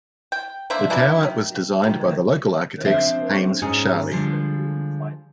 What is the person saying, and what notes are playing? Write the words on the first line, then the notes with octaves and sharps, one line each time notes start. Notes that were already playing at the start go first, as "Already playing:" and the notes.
The tower was designed by the local architects Hames Sharley.
G5
A#3 D4 C5 E5
E3 A#3 D4 E4
D#3
D#3
F3 C4 D4 C5 E5
G#2 C#4 G#4
D3 F3 G3 G#3